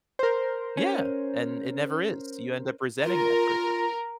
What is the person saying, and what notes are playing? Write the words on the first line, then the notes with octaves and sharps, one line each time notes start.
Yeah, and it never is. You end up resenting that person.
A#4 C5
C#4
F4 A#4